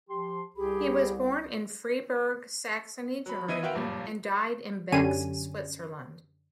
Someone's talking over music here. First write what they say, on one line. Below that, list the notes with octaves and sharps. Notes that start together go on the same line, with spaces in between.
He was born in Freiberg, Saxony, Germany and died in Bex, Switzerland.
F3 G4 C6
C2 G4 G#4 B5
F#3 B5
E3 B3 E4 D#5 D#7
F4 F#4 B4 E5 G5
F#1 G2 A#2 F3
F#2 D3 C#4 G4 G#5 D#7